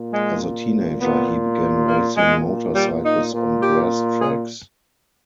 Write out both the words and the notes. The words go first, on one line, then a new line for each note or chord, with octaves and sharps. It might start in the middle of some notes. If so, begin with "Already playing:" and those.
As a teenager, he began racing motorcycles on grass tracks.
Already playing: A#2
G#3
A#2 B3
A#3
A#2 G#3
G3
D#4
A#2
G4
G#4